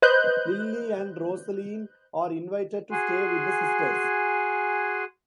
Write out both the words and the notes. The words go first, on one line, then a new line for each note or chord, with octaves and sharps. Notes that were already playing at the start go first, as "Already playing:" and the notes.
Lily and Rosaleen are invited to stay with the sisters.
B4 C5 D#5 F#6 G6
F#4 G#4 G#5 C6